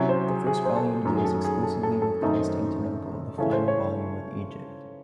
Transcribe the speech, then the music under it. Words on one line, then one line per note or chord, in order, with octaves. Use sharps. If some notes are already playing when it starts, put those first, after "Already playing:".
The first volume deals exclusively with Constantinople, the final volume with Egypt.
Already playing: C3 F#3 C#4 E4 C#5
C5
G#4
G#4
C5
A4
F#2 D#3 F#3
G#4
A4
G#4
A4
A4
A4
F#2 D#3 A3 C4 D#4 C5
C#3 E3 A3 C#4 E4 A4
C5
C#5